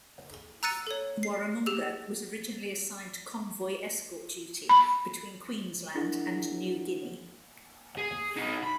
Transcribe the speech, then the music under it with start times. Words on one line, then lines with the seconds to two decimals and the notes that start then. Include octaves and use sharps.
"Warramunga" was originally assigned to convoy escort duty between Queensland and New Guinea.
0.63 A#5 E6 F#6 A6 C#7 D#7
0.87 A4 C#5
1.23 C7
1.66 G4 G#4 E6
4.69 B5
5.95 D4 E4 G#4 A#4 F#5
7.98 G#4
8.36 D#4 F#4
8.63 B5